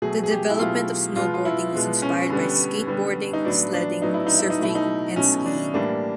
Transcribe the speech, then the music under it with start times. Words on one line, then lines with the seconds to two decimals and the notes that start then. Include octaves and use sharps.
The development of snowboarding was inspired by skateboarding, sledding, surfing and skiing.
0.02 B2 F#3 A3 G#4
0.23 G#4
0.31 G4
0.50 E4
0.59 B2 F#3 A3 F4
1.16 B2 G#3 B3 F4
1.34 F4
1.45 E4
1.73 B2 G#3 B3
2.02 C#4
2.30 D3 G3 B3
2.87 D3 G3 B3
3.33 D#4
3.45 A2 F#3 B3 D4
3.73 D4
4.02 A2 F#3 B3 D#4
4.14 E4
4.27 D#4
4.38 E4
4.50 D#4
4.59 B2 F#3 A3 E4
4.75 D#4
5.16 B2 F#3 A3 C#4
5.46 D4
5.74 A2 E3 G3 A#3 D4